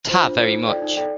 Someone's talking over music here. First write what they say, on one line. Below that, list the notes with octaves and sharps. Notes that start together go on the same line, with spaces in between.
Ta very much.
F4 C5
D4
F4 C5
D#4
A4 D5 G5
D#4
A4 D5 G5